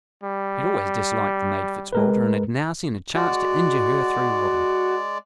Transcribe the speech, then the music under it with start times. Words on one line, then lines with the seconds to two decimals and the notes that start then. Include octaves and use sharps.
She had always disliked the maid Fitzwalter; and had now seen a chance to injure her through Robin.
0.24 G3
1.93 G#3 A#4 B4
3.15 G#3 F#4 D5